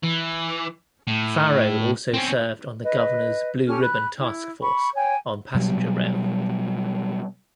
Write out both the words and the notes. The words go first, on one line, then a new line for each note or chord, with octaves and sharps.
Farrow also served on the Governor's Blue Ribbon Task Force on Passenger Rail.
E3
A2
C4 C#4
B4 D#5
C#4 G4 A4 F6
B5 F#6
E4
B5 C#6
C#5 G5 G#5
B2 F#3 G3